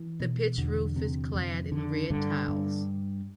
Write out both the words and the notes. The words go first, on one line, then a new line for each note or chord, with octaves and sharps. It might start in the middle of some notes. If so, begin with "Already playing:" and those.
The pitched roof is clad in red tiles.
Already playing: E3
B2
E2 D3
C3
F2
D3
G2 D3
G2